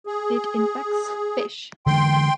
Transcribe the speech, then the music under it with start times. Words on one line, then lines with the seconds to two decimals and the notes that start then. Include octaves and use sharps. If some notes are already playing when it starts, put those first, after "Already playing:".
It infects fish.
0.07 G#4
1.86 D3 E3 G#3 G5 C6